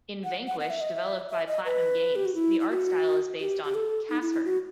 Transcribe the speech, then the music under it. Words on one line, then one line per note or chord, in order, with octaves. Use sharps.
In "Vanquish", developed by PlatinumGames, the art style is based on "Casshern".
F#5
F#5
F#5
E5
D#5
E5
E5
D#5
B4
G4
F#4
E4
E4
F#4
G4
G4
A4
D#4
E4
E4
F#4